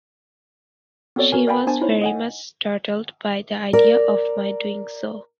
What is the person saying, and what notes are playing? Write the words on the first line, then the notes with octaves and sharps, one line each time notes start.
She was very much startled by the idea of my doing so.
B3 C4 F#4 A4 C#5 D5
F#4 A#4 G#5
A#4 D5 F5 G5 G#5 B5
B3 D4 C5 G#5 A5
D#4 E4 C5 C#5
D#5 F#5 G#5
A#4 D5